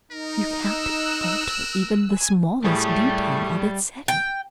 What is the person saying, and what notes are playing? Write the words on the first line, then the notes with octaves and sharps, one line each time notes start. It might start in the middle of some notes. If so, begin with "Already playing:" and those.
You can't alter even the smallest detail of its setting.
D#4 A#4
E6 F#6
G#5
A2 G3 A3 G4 G#4
G5